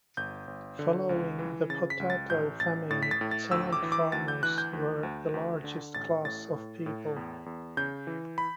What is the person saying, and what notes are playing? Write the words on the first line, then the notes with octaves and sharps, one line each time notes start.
Following the Potato Famine tenant farmers were the largest class of people.
G1 G6
G1
D3
C#2
E3
C#3 A6
B6
C#2
A6
A1 G6
A1 A6
A2 A6
B6
A6
A2
A6
D2 E6
D6
E3
D6
D2 A6
G6
E3 F#6
G6
D2
D2
D2
D3
A1 A6
A2 A6
A2
A2
E2
E2
C#3 G6
E3
B5